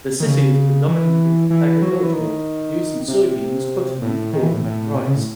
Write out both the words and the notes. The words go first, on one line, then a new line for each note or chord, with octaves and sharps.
The city is predominantly agricultural, producing soybeans, cotton, corn and rice.
D#3
C#3
E3
E3
F#3
F#3
E3
D#3
C3
A2
D#3
E3
A2
A2
C3
C#3
A2